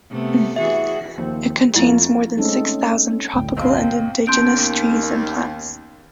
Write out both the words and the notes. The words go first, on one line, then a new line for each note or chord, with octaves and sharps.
It contains more than six thousand tropical and indigenous trees and plants.
C3 A3 B3
E3 F#4 G#4 E5
D#2 F3 C4
F2 A3 A#3 E4 F4
G#3 A3 C4 C#4 D#4 A4
G1 D2 A2 G5
B1 C4 D#5 F5 G5
D#2 B3 C#4 C6 G6 D7